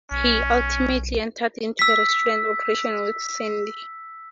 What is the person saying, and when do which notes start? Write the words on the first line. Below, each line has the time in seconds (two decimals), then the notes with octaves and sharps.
He ultimately entered into a restaurant operation with Sandy.
0.11 B1 C#4
1.79 E6 B6